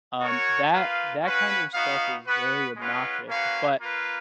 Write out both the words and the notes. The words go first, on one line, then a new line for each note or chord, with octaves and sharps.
Um, that that kind of stuff is very obnoxious. But
F#4 A#4 C#5
A#3 F4 B4 F5
C#4 F#4 B4 F5
B3 D#4 F#4 B4 F5
B3 F#4 B4
G#3 C#4 F4 B4 F#5
A#3 C#4 F#4 B4 F5
A#3 F4 B4